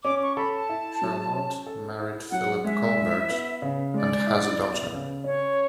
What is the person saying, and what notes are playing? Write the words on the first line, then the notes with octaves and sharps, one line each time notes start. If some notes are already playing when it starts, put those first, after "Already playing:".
Charlotte married Philip Colbert and has a daughter.
C#4 D6
C#6
A4 B5
A5
E4
F#3
C#4
A4
E4
F#3 F#5
G#3 E5
E4
B3
C#3
G#3 D5
E4
B3
C#3
C#4 C#5